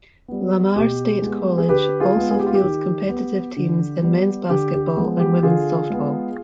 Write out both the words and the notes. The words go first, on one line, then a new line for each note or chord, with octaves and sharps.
Lamar State College also fields competitive teams in Men's Basketball and Women's Softball.
G3 B3
B2 G4
G#3 B3
G#4
D3 G4 B4
F4 G#4
G#3 B3
G#4
G4
F4
G4
D#3
B3
D3
G3 B3
D3 G4
G4
F3 G#3 B3
G4
D3 F4 G#4
G#3 B3